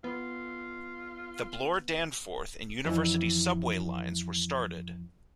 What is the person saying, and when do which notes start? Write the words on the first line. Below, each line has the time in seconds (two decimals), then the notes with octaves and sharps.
The Bloor-Danforth and University subway lines were started.
0.04 B3 F4
2.85 F2 E3